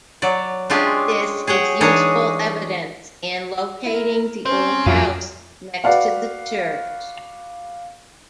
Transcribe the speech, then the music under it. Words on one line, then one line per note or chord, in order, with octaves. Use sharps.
This is useful evidence in locating the old house next to the church.
F#3 D5
G#3 C#4 D4 F4 G4
G#4 C#5 F#5 G5
E3 G#3 D4 D#4 G#4 C#5
E4 A#4
C4 C#4 C5
F2 F#3 F4 E5 F5 G#5
F#4 B4 D5 F5 F#5